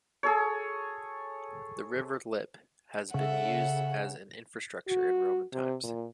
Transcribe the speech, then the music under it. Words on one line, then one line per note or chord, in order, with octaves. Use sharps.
The river Lippe has been used as an infrastructure in Roman times.
G#4 A4 C#5
C#3 A4 E5 F#5
F#4
C3
A#2